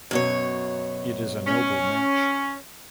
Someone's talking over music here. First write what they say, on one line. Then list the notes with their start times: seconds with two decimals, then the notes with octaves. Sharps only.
It is a noble match.
0.11 F#2 B2 C#5
1.47 C#4